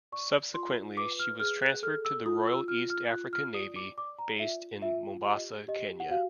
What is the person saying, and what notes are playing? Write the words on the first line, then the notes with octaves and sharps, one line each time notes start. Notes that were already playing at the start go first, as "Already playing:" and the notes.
Subsequently she was transferred to the Royal East African Navy, based in Mombasa, Kenya.
D5 C#6
F4 C6
B4 D6
F6
G#4 F6
F#6
A4 F6
E6
F4 D#6
E6
F4 F6
F6
F4 F#6
F6
D5 D#6
D6
D5 D6
A#5
F4 E5
F4 E5
G4 D#5
G4 D#5
F#5
F#4 F5